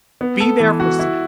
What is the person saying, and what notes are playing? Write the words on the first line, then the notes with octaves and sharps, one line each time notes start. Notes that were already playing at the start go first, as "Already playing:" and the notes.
Be there for so
B3
A4
E3
F#4
E4